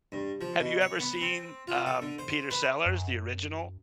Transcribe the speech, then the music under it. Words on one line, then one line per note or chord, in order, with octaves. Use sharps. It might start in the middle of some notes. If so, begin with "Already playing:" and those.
Have you ever seen, um, Peter Sellers, the original,
G2
F3
B2
C#5
B3
C4
F4
A4
D3
C5
B4
F#2